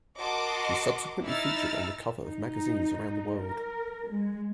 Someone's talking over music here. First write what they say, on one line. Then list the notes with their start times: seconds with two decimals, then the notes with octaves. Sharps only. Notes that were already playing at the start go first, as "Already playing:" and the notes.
She subsequently featured on the cover of magazines around the world.
0.20 F#4 A#4 D#5 A5 C6 D6
1.23 D#4 E4 E6 F6 A6
2.25 D#4
3.39 A#4
4.10 G#3